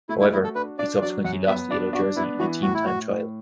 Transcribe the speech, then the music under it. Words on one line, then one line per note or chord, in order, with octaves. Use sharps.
However he subsequently lost the yellow jersey in a team time trial.
A3 E4
E4
E4 F#4
A4
D4 B4
D4 D5
F#3 D5
F#2 F#5
B3 E5
D4 D5
D4 F#4
B3 E4
E3 F#4
A2 F#4
E4
A2 F#4
A2